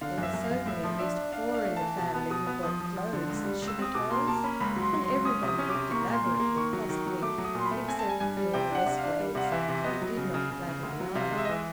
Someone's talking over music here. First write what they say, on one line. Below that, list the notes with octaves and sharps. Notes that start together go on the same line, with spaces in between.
There were certainly at least four in the family who bought clothes at Shillitoe's, and everybody looked elaborately costly, except Hilda Lessways, who did not flatter the eye.
D3 F5
F#2 E5
F#2
F5
F#2
A2 E5
F3
D4 E5
D4
D4 F5
D4
F5
A3
E3 A5
B2 A5
B3
B2 D#6
B3
F3 D#6
F3
F3
D3
C#2
G3
C#2
E6
C4 D#6
B2 D6
A#3 C6
A#3 A5
C#4 B5
C#2 B5
F#3
C6
F#3
C6
C#2
C#4 D#6
C3
D#6
C#4
D6
C3
A#3 C#6
A#2
C6
A#3
C6
A#3
D#3 C#6
F#3
D#3
F#3
A3 D6
F#3
D#6
A#2 C6
B5
A3
C4 G#5
A5
G3 G#5
G2 G#5
G3
C3 G5
D4 F#5
C3
F5
D4
G3
C3 F#5
F5
E3 E5
C3
B3 D#5
F#3
C#3
C#3
C#3
C#3
D2
F#3
C3 F5
G#3
E5
D#5
E3 E5